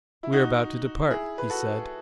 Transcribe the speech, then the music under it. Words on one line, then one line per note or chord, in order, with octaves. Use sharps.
"We're about to depart," he said.
E4
D#4 F#4
E4 G#4
B4
F#4 A4